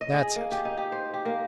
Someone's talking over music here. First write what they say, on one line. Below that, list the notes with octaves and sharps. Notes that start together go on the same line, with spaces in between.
'That's it!
D#5
G#4
A#3
G4
D#4
G4
C5
G4
A#3